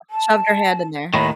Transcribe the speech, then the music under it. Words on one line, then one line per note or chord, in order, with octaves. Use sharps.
Shoved her hand in there.
A5
D#2 A2 D#3 B5